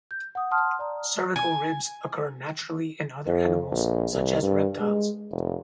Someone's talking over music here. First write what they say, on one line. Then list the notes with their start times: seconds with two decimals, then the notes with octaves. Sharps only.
Cervical ribs occur naturally in other animals such as reptiles.
0.11 G6
0.35 F#5 D#6
0.51 F#5 A5 C6 D#6 F6
0.79 D5 A#5
1.36 G#5
3.27 F2
3.71 A#1
4.13 C2
4.43 G2
4.80 G#3
5.31 F1